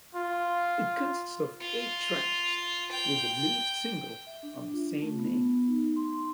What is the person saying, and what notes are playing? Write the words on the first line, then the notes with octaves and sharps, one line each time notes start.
It consists of eight tracks with the lead single of the same name.
F4
F4
G5
E5
D4
F4
A3
B3
D#4
C6